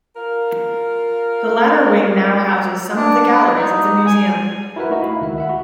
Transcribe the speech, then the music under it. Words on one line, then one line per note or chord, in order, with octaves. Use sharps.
The latter wing now houses some of the galleries of the museum.
F4 A#4
D4
D#4
G#5
E4 F#4 A#4 B4 E5
A3 D#4 F#4 D#5
E4 F5 B5
C#2 D#3 E5
E5 F#5 B5
F#4